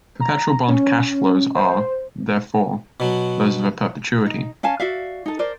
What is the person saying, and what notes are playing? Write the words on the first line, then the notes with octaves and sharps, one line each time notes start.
Perpetual bond cash flows are, therefore, those of a perpetuity.
A#5
C#4
C5
B2 F#3
D#4
C#4 F5 G#5 A5
F#4 D5 E5 F5
D#4 A4
A#4 C5 D5